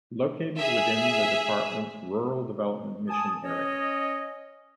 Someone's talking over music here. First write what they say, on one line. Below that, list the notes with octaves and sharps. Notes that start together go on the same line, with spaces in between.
Located within the Department's Rural Development mission area.
G#4 E5
G#5 A5 D#6
C#4 C#5 D#5